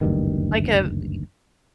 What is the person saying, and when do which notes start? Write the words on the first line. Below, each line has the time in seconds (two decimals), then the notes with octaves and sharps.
Like a b
0.01 F#1 D2 G2 D#3